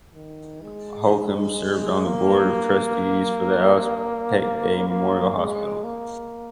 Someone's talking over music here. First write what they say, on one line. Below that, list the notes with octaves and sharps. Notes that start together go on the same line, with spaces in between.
Holcombe served on the board of trustees for the Alice Peck Day Memorial Hospital.
D#3
G#3
A#3
A#3
G#3
A#3